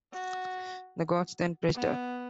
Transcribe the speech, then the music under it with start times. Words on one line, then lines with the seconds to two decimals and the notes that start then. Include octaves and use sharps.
The gods then praised her.
0.13 F#4
1.75 B3